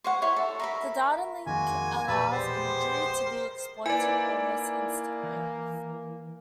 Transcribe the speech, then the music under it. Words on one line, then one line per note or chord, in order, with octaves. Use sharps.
The data link allows imagery to be exploited almost instantly.
C5 C#5 F#5
E4 C#5 C6
A4
A#4 E5 B5
F2 D#3 G#3 A#3 F#4 G#5
E1 A#1 G3 B4 D5 E6
G#3 B3 G4 C5
A#4
A#3 D#4 E4 B4 C5 D5 G#5
E3